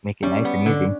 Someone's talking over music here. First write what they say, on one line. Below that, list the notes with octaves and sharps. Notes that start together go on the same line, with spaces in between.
make it nice and easy."
G3 C#4
B3
D3